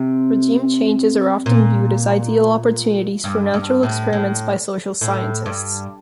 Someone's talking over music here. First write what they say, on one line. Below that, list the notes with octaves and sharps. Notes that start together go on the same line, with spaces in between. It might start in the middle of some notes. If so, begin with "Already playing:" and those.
Regime changes are often viewed as ideal opportunities for natural experiments by social scientists.
Already playing: C3
A#2
G2
G2
A2
A2
A2
G2